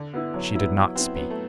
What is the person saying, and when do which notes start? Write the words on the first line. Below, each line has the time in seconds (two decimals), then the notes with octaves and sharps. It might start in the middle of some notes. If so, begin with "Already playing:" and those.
She did not speak.
Already playing: D3
0.13 B3 E4
0.34 F#3
0.55 B3 E4
0.75 F#3 B3
0.96 B3 C4 E4
1.16 F#3 B3
1.30 A3